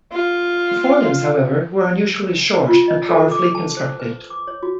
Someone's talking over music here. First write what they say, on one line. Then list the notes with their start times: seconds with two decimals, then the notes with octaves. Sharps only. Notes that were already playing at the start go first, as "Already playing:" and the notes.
The forelimbs, however, were unusually short and powerfully constructed.
0.12 F4
2.69 F4
2.88 D#5
3.09 A4
3.32 D6
3.55 A5
3.77 C5
4.00 B4
4.30 D6
4.47 C#5
4.63 F#4